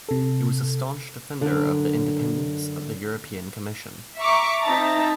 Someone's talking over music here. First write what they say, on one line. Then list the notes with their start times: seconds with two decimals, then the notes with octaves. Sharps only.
He was a staunch defender of the independence of the European Commission.
0.09 C3 A4
1.41 F#2 D3
4.18 E5 A#5 C#6 D6
4.61 C4 D#4 E5 A5 A#5 A6